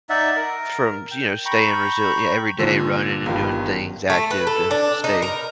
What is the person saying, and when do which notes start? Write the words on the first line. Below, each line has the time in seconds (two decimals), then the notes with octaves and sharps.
from, you know, staying resilie yeah every day, running and doing things, active to stay
0.10 D#4 D5 E5 F#5
0.36 A#4
1.11 G5
1.45 G5 A#5 B5 C#6
2.59 A#2 D3
3.26 G1 G2 D#3 F3
4.10 A3
4.30 B4
4.47 A4
4.71 D4
5.04 D#4
5.22 A#4